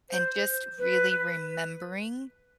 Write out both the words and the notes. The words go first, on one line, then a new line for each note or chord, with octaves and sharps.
and just really remembering
C5
B4